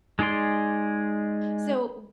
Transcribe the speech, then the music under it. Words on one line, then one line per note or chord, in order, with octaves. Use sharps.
So, w
G#3 D#4 G#4 D5 C6